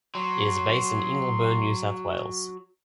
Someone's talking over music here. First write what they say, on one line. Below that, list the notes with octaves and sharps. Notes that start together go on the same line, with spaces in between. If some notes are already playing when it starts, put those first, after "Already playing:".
It is based in Ingleburn, New South Wales.
F#3 C6